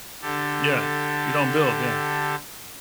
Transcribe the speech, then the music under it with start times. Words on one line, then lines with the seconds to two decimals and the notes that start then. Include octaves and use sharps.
Yeah, you don't build, yeah.
0.22 D3 G4 A4